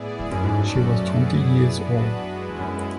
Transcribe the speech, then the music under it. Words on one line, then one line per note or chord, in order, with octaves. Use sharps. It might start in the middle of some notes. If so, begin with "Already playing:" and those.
She was twenty years old.
Already playing: A2 B3 E4 G#4 D5
E2
F#2
G#2 A3 C#4 F#4 A4 D5
F#2
B3 E4 G#4 D5
B3 D4 F#4 B4
F#2
G#3 B3 E4
E2
F#2